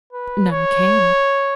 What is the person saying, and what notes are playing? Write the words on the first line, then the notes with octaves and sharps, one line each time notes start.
None came.
B4
C#5